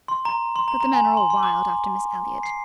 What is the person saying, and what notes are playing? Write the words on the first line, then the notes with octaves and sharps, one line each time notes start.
But the men are all wild after Miss Elliot.
C6
A#5
C6
A#5
A#5
G#5
A#5
C6
C6
D6
C7